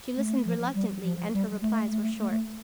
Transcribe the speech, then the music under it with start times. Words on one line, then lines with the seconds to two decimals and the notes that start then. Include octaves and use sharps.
She listened reluctantly, and her replies were short.
0.17 A3
0.45 F3
0.75 G3
1.03 F3
1.33 G3
1.62 A3
1.91 A3
2.20 A3